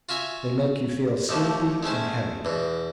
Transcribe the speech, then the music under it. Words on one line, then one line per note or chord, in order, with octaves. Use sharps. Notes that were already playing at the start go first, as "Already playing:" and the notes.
They make you feel sleepy and heavy.
F4 F#4 E5 G#5
D#2 D#3 F3 A3 A#3
G#3 A3 C#4 C5
E2 B2